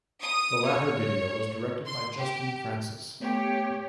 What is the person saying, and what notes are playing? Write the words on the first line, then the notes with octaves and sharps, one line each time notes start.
The latter video was directed by Justin Francis.
D#6
C#5
C6
G4
A3 B3 G4 C#5